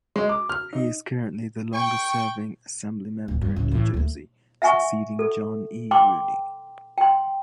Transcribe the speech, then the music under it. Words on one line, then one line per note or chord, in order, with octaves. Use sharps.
He is currently the longest-serving Assemblymember in New Jersey, succeeding John E. Rooney.
G#3
D6
F6
D#4
G5 C#6
D1
G2
C#2 A2
A2 E3
D2 A3
E5 F#5 G#5 C#6
A4
G5 C6 D6
G5 C6